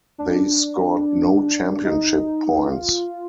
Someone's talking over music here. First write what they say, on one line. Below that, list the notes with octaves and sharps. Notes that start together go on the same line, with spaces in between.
They scored no championship points.
D4
D#4
F4